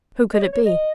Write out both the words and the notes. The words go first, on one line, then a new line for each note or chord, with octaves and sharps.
Who could it be?
D#5
C#5
C#5
D#5